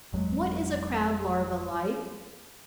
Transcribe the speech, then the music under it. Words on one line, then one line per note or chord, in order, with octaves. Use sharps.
What is a Crab larva like?
G1 F2 F#3 G#3